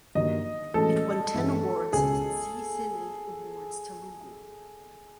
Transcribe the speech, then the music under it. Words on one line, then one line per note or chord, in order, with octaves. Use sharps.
It won ten awards at Zee Cine Awards Telugu.
G2 D#3 F#3 A#3 D#5
A2 E3 G#3 C#4 F#4 A4
G2 E3 G#3 C4 E4
C#2 B2 G#3 C#4 G#4